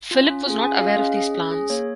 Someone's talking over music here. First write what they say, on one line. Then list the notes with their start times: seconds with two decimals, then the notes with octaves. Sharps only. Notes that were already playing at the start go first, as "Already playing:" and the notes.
Philip was not aware of these plans.
0.11 C#4 F4
0.29 C#4
0.46 F4 G#4
0.63 C#4 G#5
0.75 F5
0.81 F4 G#4
0.87 F5
0.98 C#4 D#5
1.17 G#4
1.35 C#4
1.51 G#4
1.70 A#3 C#5